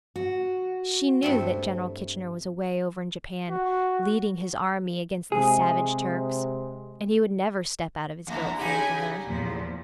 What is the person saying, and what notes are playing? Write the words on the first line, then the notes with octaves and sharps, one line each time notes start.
She knew that General Kitchener was away over in Japan, leading his army against the savage Turks; and he would never step out of his gilt frame for her.
F#4
G2 A3 C4
F#4
C3 G#3 G#4
E2 D3 A#3 E4 A#5
C#3 D#4 G4 G#5 B5
E2 A#2 F3